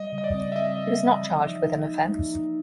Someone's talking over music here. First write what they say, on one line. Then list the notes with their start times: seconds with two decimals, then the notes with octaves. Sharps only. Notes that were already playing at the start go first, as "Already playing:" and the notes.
He was not charged with an offense.
Already playing: G3 D#5
0.12 C#3
0.18 D#5
0.24 D5
0.34 C4
0.52 E5
0.56 G3 D#5
0.79 G3
1.01 E3
1.23 F3
1.45 D#4
1.67 D#4
1.89 A#3
2.11 D#4
2.33 D#4